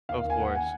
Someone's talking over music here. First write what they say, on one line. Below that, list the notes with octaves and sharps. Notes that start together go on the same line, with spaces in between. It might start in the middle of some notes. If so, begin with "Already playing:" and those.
Of course.
D#2 F5
D#2
G#5
D#2 F#5
G#5